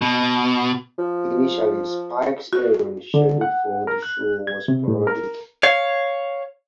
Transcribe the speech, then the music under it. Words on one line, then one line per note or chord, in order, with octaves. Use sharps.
Initially, Spike's airing schedule for the show was sporadic.
B2
F3
F#4
D3
F#5
A#4
F#6
G#6
C3
A2
A#4
C#5 F5